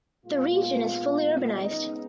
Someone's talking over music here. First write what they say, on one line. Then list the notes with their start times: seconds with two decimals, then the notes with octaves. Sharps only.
The region is fully urbanised.
0.25 A#2 G#3 B3 F4
1.60 C#3 G#3 B3 D#4